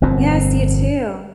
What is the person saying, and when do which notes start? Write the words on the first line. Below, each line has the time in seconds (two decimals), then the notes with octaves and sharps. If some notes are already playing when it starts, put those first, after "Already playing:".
Yes, you, too.
0.02 G1 F2 A#2 C4